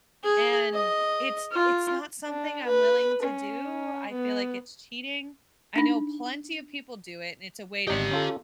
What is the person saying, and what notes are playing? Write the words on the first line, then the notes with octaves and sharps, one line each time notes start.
and it's it's not something I'm willing to do. I feel like it's cheating. I know plenty of people do it, and it's a way to
G#4
D#5
F4
D4
B4
C#4
B3
D4 D#4
G#1 G4 D5 D#5 A#5
C#4 F4 A4